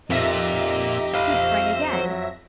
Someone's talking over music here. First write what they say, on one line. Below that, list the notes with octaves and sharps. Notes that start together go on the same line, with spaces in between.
He sprang again.
F2 A#3 D#4 F4 G4 E5 A#6
C5 F5 B5
F#3